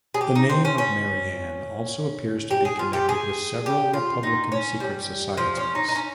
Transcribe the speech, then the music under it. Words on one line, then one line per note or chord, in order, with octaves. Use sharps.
The name of Marianne also appears to be connected with several republican secret societies.
G#4
G4
D#4
C4
C#4
C#4
G4
G#4
F4
G4
G#4
G4
F4
D#4
C#4
G3
F3
C#4
D#4
D#4
C#4